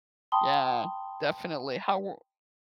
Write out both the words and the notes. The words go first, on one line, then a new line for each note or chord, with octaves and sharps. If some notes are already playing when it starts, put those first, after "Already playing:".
Yeah, definitely. How w
G5 A5 B5 C6 D#6 G7